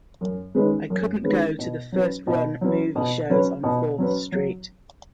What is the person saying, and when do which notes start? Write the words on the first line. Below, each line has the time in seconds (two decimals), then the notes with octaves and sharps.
I couldn't go to the first-run movie shows on Fourth Street.
0.21 F#2
0.55 D#3 G#3 C#4 B4
0.90 F#2
1.24 D#3 G#3 C#4 B4
1.58 B2
1.92 F#3 C#4 B4
2.27 B2
2.61 F#3 C#4 B4
2.95 B2
3.30 F#3 C#4 B4
3.63 B2
3.98 F#3 C#4 B4
4.32 F#3